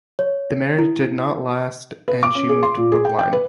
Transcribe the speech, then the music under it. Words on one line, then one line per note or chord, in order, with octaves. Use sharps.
The marriage did not last and she moved to Brookline.
C#5
E4
B4
D6
C#4
G#4
C6
A#2
G#4
G5
G5
B4